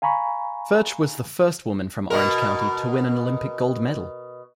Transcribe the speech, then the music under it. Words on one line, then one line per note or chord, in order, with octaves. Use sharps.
Furtsch was the first woman from Orange County to win an Olympic gold medal.
F5 G#5 A#5 B5 C#6
B2 A#4